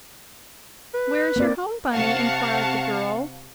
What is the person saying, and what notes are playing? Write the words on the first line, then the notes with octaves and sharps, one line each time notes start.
"Where is your home, bunny?" enquired the girl.
B4
A#3 C4 D5
C3 F5 F#5 A5 C#6